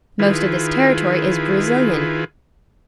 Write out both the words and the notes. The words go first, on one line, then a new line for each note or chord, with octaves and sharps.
Most of this territory is Brazilian.
D#3 E4 F4 G#4 B4